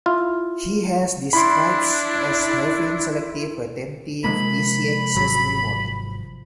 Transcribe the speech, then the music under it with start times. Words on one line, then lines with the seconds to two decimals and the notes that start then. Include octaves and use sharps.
He has been described as having Selective Retentive Easy-Access Memory.
0.06 E4 F4
1.33 D4 E4 B5 C6
4.24 C3 F3 G#3 A#3 B5
5.15 G#1 F#3